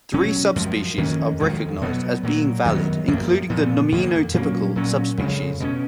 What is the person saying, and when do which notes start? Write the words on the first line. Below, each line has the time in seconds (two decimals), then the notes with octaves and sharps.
Three subspecies are recognized as being valid, including the nominotypical subspecies.
0.13 B2 F#3 C#4
0.56 F#2 F3 G#3
0.97 F2 D#3 A#3 C#4
1.40 F2 D#3 G#3
1.82 B2 F#3 B3
2.23 A#2 F#3 A#3
2.65 F#2 D#3 F#3 B3
3.08 F#2 F3 A#3
3.50 A#2 F3 B3
3.92 F2 D#3 A#3
4.34 A#2 F#3 A#3 C#4
4.76 A#2 F#3 C#4
5.18 F2 C#3 G#3
5.60 B2 A#3 C#4